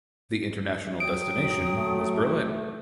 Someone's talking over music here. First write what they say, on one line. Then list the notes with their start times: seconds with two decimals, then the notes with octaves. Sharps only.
The international destination was Berlin.
1.00 F#3 G5 D#6 D7
1.78 A3